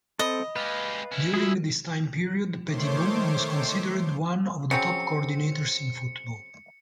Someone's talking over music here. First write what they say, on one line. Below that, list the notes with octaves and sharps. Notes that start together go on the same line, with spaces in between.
During this time period, Petitbon was considered one of the top coordinators in football.
C4 A4 D#5 B5
G#3 G4 B4 F5 A6
C#4 E4
F4 F#4 G#4 E5
D#3 A3 C5 C#5 C6 D6
C#3 F#3 C4 C#7